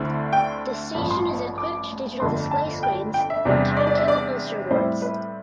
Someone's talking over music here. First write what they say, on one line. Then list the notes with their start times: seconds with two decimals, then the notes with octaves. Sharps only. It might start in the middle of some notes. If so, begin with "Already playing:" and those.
The station is equipped digital display screens or timetable poster boards.
Already playing: D2 D3 A3 C4 E4
0.33 G5
0.95 A1 G2 F3 B5
1.11 C6
1.58 D6
2.20 G1 F2 D3 A3 C6
2.51 A5
2.83 G5
3.14 G5
3.30 E5
3.45 E2 C3 G3 D4
3.77 D5
3.87 D5
3.98 E5
4.08 D5
4.71 A2 G3 C4 E4 C5
5.02 B4